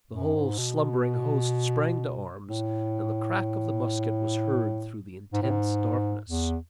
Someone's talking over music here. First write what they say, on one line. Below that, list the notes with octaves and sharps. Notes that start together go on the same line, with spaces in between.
The whole slumbering host sprang to arms, and the crack of the musket was heard through the intense darkness.
F#2
G#2
B2
A2
G#2
A2
G#2
E2